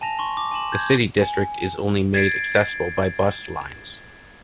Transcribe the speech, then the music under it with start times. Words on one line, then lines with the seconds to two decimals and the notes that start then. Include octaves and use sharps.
The city district is only made accessible by bus lines.
0.01 G#5 A5 A#6 F7
0.19 C6 C#6
0.37 D6
0.51 G#5 C6 E7 F#7
0.72 G6 G#6
1.22 G#5
2.14 G#6 A6 B6 C7 D7